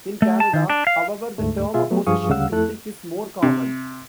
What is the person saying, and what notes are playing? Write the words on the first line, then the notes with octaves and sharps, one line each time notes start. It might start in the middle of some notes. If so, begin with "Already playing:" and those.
In Canada, however, the term Opposition Critic is more common.
A3
A5
D#3
D4
F5
D2 G#2 A3
B2 F4 G#4 E5
F#3 A3 B3
G2 F3 G#4 F5 C#6 D#6
D2 C#3 G3 F5 F#5 E6
F2 A3 E4 A4 F#6
C3